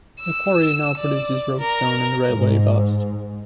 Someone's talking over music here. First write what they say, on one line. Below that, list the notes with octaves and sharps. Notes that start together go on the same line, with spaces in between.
The quarry now produces roadstone and railway ballast.
E6
D5
A#4
G#2